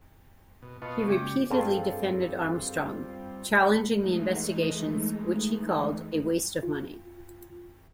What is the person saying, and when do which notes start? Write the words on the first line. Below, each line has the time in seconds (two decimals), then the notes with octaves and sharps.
He repeatedly defended Armstrong, challenging the investigations which he called "a waste of money".
0.62 B2
0.82 B2 B3 F4 D#5 A5 C#6
1.08 C#3 G#3 A#3 F4 G4 D5
1.50 G2 G3 C4 F4 G#4 A4 F5
3.88 E3 G#3 A3 D#4
6.63 F4